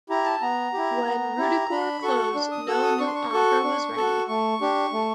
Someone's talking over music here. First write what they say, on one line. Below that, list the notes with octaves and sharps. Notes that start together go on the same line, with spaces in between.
When "Ruddigore" closed, no new opera was ready.
E4 G4 A#5
A5
B3 A#5
E4 G4
B3
E4 G4
D4 B5
F#4 A4 C#6
D4
D#6
F#4 A4 E6
D#6
D4 C#6
C6
C#6
F#4 A4
D4
F#4 A4
A3 C#6
D4 G4
A3